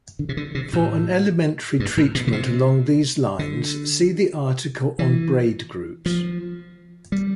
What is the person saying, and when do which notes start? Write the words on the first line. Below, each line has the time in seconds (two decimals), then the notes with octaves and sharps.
For an elementary treatment along these lines, see the article on braid groups.
0.19 D3
0.29 C3
0.37 D3
0.55 C3
0.73 A2
1.80 G2
1.97 A2
2.15 B2
2.27 D3
2.32 C3
3.39 D3
4.99 E3
6.06 F3
7.12 G3